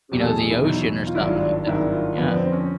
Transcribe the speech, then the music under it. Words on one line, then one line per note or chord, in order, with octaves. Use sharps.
you know, the ocean or something like that, yeah.
E2 B2 F#3 G4
A4
G#4
G#4
E4
E2 B2 F#3 D#4
F4
G#1 G2 D#3 F#3 E4
F4
D4
D4
G#1 G2 D#3 F#3 E4
F4
F2 D3 F3 B3
C4
C#4